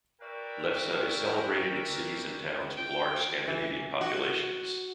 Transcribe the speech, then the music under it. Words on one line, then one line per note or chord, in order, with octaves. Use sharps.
Lefse is celebrated in cities and towns with large Scandinavian populations.
F#4 A#4 B4 D5 E5 G5
G5
E3
F#4